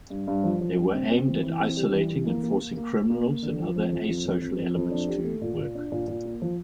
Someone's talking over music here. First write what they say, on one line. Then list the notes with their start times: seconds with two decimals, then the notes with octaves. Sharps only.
They were aimed at isolating and forcing criminals and other asocial elements to work.
0.10 G2
0.28 G2
0.44 F3
0.61 F3
0.77 G2
0.94 C4
1.11 C4
1.27 E3
1.43 E3
1.60 C4
1.76 G3
1.93 E3
2.10 E3
2.27 A#3
2.43 A#3
2.59 A#3
2.77 A#3
2.93 A#3
3.10 A#3
3.25 A#3
3.42 D3
3.59 F3
3.76 F2
3.92 F3
4.09 F2
4.25 F2
4.42 F2
4.58 F2
4.75 F2
4.91 D4
5.09 G4
5.24 A3
5.41 A#2
5.58 A#2
5.75 D4
5.92 A#2
6.08 A#2
6.25 A#3
6.42 F3